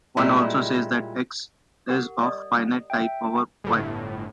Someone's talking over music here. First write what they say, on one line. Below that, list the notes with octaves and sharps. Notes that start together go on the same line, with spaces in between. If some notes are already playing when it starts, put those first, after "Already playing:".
One also says that "X" is of finite type over "Y".
A#2 G3 G#3 E4
G4 A#4 F#5
D5 D#5 D#6
E5 G5
G1 A2